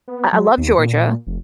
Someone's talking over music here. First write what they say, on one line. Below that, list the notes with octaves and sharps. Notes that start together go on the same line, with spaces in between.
I I love Georgia,
B3
F#3
D#2
A#2
F1